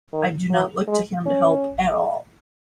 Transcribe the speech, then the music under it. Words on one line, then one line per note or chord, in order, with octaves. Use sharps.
I do not look to him to help at all,
D#3
F#3
G#3
C#4